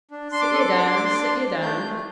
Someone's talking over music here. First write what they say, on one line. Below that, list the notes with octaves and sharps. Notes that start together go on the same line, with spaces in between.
'Sit ye down, sit ye down.
D4
D4 C6
D6
A4 C6
D6
C6
D4 D6
C6
D4 D6
C6
D6
D4 C6
D4
A3 G6
A3